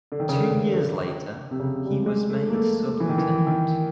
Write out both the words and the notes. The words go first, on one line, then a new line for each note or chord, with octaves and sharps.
Two years later, he was made sub-lieutenant.
D3
D#3
C#3
D3
C#3
D3
C3
C#3
G3
G#3
G#3
A3
A#3
A3
E3
D#3
E3
D#3